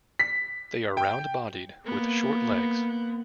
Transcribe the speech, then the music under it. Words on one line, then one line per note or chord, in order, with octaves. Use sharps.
They are round-bodied, with short legs.
B6
G5
A#3 B3